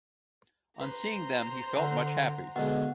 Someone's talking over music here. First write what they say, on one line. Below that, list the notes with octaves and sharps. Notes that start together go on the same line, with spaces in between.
On seeing them he felt much happy.
B4 C5 A#5 B5
D3 F#5
B2 D3 G#3 B3 F#5